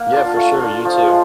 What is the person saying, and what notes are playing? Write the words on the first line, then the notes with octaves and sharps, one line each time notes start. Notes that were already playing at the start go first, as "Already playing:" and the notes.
Yeah, for sure, you too.
Already playing: A#3 F#5
D4 F4
A3
D4 F4
F3
G#3